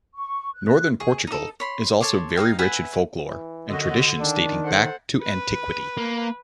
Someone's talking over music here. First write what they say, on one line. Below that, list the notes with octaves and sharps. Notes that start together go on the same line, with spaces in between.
Northern Portugal is also very rich in folklore and traditions dating back to antiquity.
C#6
F#6
G#4 C#6
D#4 A4
C#5 B5 C6
A4 C#5 C6 D6
D#4 E4 F5 G5
B4 E5 F#5 G#5
E3
F#2 D3 F#4 D#5
D#3 D4
A4 C5 F#5
B4
A#3